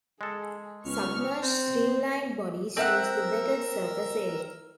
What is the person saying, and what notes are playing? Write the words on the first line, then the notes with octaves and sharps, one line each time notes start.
Submerged streamlined bodies use the wetted surface area.
G#3 G#4 A4
C#2 B3 C#4 C#6 F6
C4
C4 A4 A#4 E5 F#5 E6 F#6